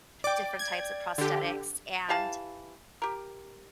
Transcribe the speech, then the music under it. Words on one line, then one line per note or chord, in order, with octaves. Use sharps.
different types of prosthetics and,
D5 G5 D6
G#6
D3 G4
E3 G4 F5 A5
G4 A#4